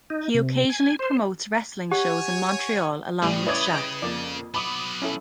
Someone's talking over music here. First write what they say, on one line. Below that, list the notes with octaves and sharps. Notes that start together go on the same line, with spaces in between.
He occasionally promotes wrestling shows in Montreal along with Jacques.
D#4
C3
G#5
C5
G4 C#5 F#5 G#5
A2 C#3 G3
E4 B4 C#5 D5 D#6 G#6
D#5 G5
F2 A#3 D5
F#3 B3 B5 D6 D#6
C#4 E4 A4